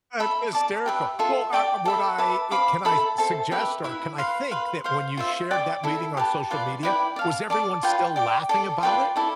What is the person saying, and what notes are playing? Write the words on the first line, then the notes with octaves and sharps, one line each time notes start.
That's hysterical. Well, I uh, what I i can I s suggest or can I think that, when you shared that meeting on social media, was everyone still laughing about it?
A4 E5 B5
D5 A5 D6
G4 B4 E5
F4 A4 E5
D5 G5 D6
A4 E5 B5
B4 E5 A5 D6
C5 F5 B5 D6
A4 E5 B5
A4 C5 E5 A5
G4 B4 E5
E4 B4 E5 B5
B4 F5 C6
B4 F5 C6
C5 F5 C6
F4 C5 E5
D5 G5 D6
E4 A4 E5
G4 B4 D5 A5
F4 B4 D5
E4 B4 D5 G5
D5
F5 A5
D5 A5 D6
F4 B4 D5 G5
D5 G5 D6
A4 D5 A5
F4 B4 D5 G5
E4 A4 D5